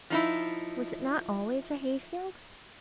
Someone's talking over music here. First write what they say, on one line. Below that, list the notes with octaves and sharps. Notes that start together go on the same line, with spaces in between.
Was it not always a hay-field?
F3 D#4 E4